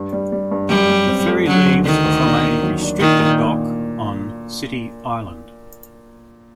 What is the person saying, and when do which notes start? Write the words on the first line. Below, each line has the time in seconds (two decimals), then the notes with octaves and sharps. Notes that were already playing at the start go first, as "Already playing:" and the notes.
The ferry leaves from a restricted dock on City Island.
Already playing: G2
0.13 G3
0.32 G3
0.51 G2
0.70 F#2 G3
0.90 F#2
1.08 C4
1.27 A3
1.46 D3 F#3
1.66 D2
1.85 D3 D#3
2.04 D2
2.24 D4
2.43 A#3
2.62 F#3
2.81 D4
3.00 A#2 D#3
3.20 A#2
3.38 A#3